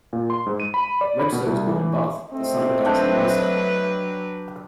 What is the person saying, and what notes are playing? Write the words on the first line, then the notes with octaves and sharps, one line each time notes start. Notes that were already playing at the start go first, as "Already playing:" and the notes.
Webster was born in Bath, the son of a dancing master.
A#2
C6
G#2
D#7
B5
D5
B5
B2
C2
E3
A3 C4 D#5
F#3 D4 B4 G5